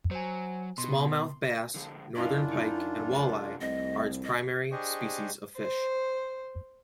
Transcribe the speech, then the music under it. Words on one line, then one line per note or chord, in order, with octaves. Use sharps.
Smallmouth bass, northern pike and walleye are its primary species of fish.
F#3 C5 G#5
B2 C6
D3 F3 G#4
F#2 D4 E4 F4 D5 D#5 F5
D#4
C3 F3 A3
C2 D#5
D#5
D4 G4 G#4 C5 D#5 C#6
C5